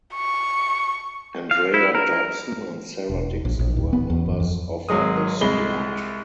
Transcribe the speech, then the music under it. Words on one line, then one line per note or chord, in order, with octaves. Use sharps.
Andrea Dobson and Sarah Dixon were members of the squad.
C#6
F5
E4
A#4
E1
A#1
A#1
D1
B3
E2
G1
F2
G#1 F#3 G#3 D#6
C2 G#3 B5 G7